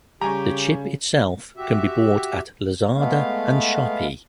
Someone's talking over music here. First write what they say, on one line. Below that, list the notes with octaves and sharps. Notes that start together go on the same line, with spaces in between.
The chip itself can be bought at Lazada and Shopee.
C#3 G3 G4 G#5 A#5 C#6
F#4 G4 E5
G#3 A3 B3 F5